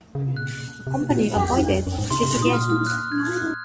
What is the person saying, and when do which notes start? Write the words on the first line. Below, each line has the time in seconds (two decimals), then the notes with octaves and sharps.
The company avoided Litigation.
0.15 C#3
0.26 C3
0.36 A#2 F#6
0.87 C3
1.11 A#2
1.36 F#2
1.52 F2
1.70 F#2
1.87 F#2
1.98 G#2
2.10 C3 C6
2.23 C3
2.37 A#2
2.42 D#6
2.53 F6
2.70 F6
2.87 F#6
3.12 G#6
3.36 F#6